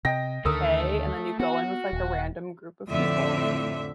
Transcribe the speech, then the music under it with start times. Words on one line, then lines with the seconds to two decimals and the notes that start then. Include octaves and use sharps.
pay and then you go in with, like, a random group of people.
0.05 C3 D#5 G5 A#6
0.45 D2 D3 D#3 A3 A4 A#4 D#6 E6
1.39 B3 F#4
1.93 D#1
2.89 F2 A2 D3 F3 E5